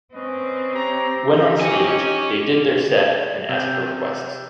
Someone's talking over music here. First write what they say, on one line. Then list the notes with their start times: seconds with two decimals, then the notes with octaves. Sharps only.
When on stage, they did their set and asked for requests.
0.14 C4 C#4 B4 D#5
0.73 G4 C#5 A#5
1.27 C4 D#4 G4
1.61 C#5 G#5
3.49 C3 G3 C4 G#4